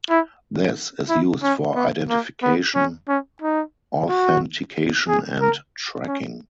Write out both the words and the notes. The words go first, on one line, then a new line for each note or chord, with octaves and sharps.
This is used for identification, authentication and tracking.
E4
E4
C#4
B3
A#3
B3
C#4
C#4
D#4
F#4
G#4
A#4
C#4